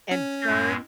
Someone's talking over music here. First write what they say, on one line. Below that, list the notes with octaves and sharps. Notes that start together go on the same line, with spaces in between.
and turn
C#4
F#2 A2 G#3